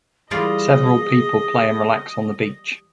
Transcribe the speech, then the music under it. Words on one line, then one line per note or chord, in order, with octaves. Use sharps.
Several people play and relax on the beach.
E3 G3 A#3 E4 F4 G#4 D5 D#5